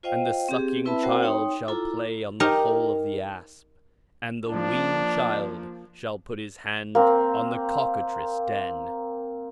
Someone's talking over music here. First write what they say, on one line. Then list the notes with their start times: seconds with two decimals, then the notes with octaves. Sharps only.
And the sucking child shall play on the hole of the asp, and the weaned child shall put his hand on the cockatrice' den.
0.03 F4 C5 D#5 F5 G5
0.49 C4 G4 G#4
0.85 C4 E4 B4 E5 A5 B5
1.03 C4 F#4 A#4 C5 F#5 G5
1.23 D#4 C#5 G5 C6 D#6
1.68 E4 F4 A4 A#5 D6
2.40 D#4 G4 A#4
4.48 F3 A#3 D4
6.95 A#3 C4